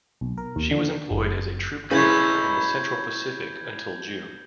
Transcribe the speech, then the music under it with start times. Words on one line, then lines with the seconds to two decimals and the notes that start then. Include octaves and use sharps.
She was employed as a troop carrier in the Central Pacific until June.
0.21 B1
0.38 A#4
0.56 D#2
0.71 D3
1.11 F#1
1.91 C#3 E4 B4 C#5 B5 G6 G#6